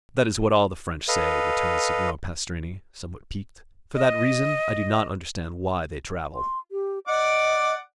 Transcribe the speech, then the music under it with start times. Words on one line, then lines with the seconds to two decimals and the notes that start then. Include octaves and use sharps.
"That is what all the French say," returned Signor Pastrini, somewhat piqued; "for that reason, I do not understand why they travel."
1.08 A4 B4 D#5 F5
3.95 D#5
6.35 C6
6.72 G4
7.08 D5 D#5 F#5 D6